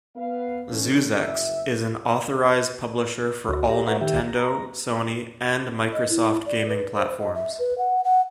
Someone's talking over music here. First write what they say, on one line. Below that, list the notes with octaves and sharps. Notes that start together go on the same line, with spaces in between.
Zuxxez is an authorized publisher for all Nintendo, Sony and Microsoft gaming platforms.
B3 B4 F5
E3 C#4 D#4 A4
F#1 E5
D2 F#4
G4 A#5
A4 B4 C#5 E5 F#5 A#5
D#3 G4 E5 G5
A#5
D#5
E4
D5
B4
C5
D#5
E5
B4
F#5
F#5